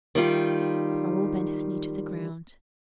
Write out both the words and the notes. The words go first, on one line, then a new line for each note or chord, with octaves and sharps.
Raoul bent his knee to the ground.
D#3 G3 F4